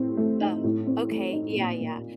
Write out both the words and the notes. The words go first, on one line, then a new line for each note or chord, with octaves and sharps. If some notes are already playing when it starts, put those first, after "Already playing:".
Oh, okay, yeah, yeah,
Already playing: A2 C4
A3
D#4
A2
C4
A3
D#4
A#2
A#3